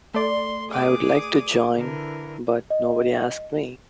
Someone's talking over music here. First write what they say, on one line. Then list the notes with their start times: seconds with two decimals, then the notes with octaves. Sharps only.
I'd like to join but nobody asked me.
0.14 A3 D5 C6
0.70 G#4 D6 D#6
1.76 D3 E3 A#4
2.70 D#5